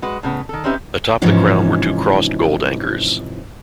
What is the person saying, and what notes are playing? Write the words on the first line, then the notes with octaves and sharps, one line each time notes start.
Atop the crown were two crossed gold anchors.
G#3 F#4 B4
A2 C#3 B3
D#3 A4
C4 C#4 D#4 G4 B4 E5
G#2 C3 E3 F3 C#4 D#4